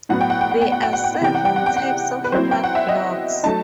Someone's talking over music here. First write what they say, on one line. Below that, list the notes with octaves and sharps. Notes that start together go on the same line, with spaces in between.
There are seven types of Mark blocks.
A2 F#3 B3 F#5
G5
F#5
G5
F#5
G5
F#5
G5
F#5
G5
F#5
C3 E3 B3 G5
F#5
G5
F#5
G5
F#5
B4
F#3 C4 E4 C5
G5
F#5
E5
D#5
F#3 A3 D#4 A5